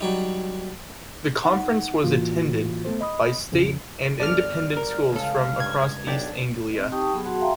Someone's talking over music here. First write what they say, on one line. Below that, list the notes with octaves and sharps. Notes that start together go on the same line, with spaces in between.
The conference was attended by state and independent schools from across East Anglia.
F#3 G3 D#4
D#4 F#5
A2 E3 A#3 F4 F#4
A3 B3 A4 C5
D#5 B5 D#6
A#1 F2 C#3 F3
G1 D5 A5 F6
A#4
C#2 A4 F5
G2 G#6
B1 D4 G4
C4 D#5
D#4 G4 G5 A5 C#6 D#6
F#3 B3 G#4
F#4 G#4 F#5 A5 C6
E5 F5 G5 A#5 C6